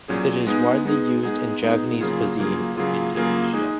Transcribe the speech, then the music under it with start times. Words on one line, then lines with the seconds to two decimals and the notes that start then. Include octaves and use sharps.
It is widely used in Javanese cuisine in Indonesia.
0.08 A#2 F#3 C#4 G#4
0.47 G#3 B3 D#4 G#4
0.85 G#3 B3 D#4 G#4
1.23 G#3 B3 D#4 G#4
1.62 G#3 B3 D#4 G#4
2.00 C#3 F#3 A#3 F4 G#4
2.39 C#3 F#3 A#3 F4 G#4
2.76 C#3 F#3 A#3 F4 G#4
3.15 C#3 F#3 A#3 F4 G#4
3.53 G#3 D#4 G#4